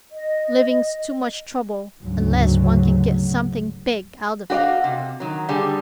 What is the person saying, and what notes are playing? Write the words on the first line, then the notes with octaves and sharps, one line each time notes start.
"Living's too much trouble unless one can get something big out of it."
D#5
D2 G#2 C#3 F#3
F#4 G4 D5 D#5 F5
C3
D#3 F#3
D3 G3 G4 G#4